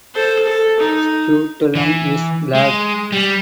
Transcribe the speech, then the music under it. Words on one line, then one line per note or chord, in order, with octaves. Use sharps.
Scutellum is black.
A4 C5
A4
D#4
E3
G#3
G3